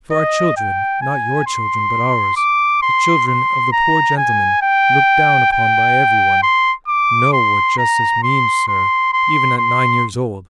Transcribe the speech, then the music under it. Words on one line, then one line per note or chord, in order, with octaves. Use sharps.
For our children--not your children, but ours--the children of the poor gentlemen looked down upon by every one--know what justice means, sir, even at nine years old.
D#5
G5
G#5
C6
D6
C6
C6
A#5
G#5
G5
G5
C6
D6
C6
A#5
C6
C6
C6
C6